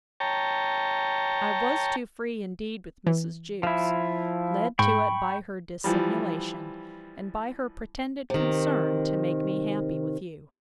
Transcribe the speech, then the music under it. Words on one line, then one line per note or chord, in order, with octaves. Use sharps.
'I was too free indeed with Mrs. Jewkes, led to it by her dissimulation, and by her pretended concern to make me happy with you.
C#5 G5 A5 A#5
E3
F3 E4
G#2 G5 B5 C#6
E3 F3 G3
C3 D#3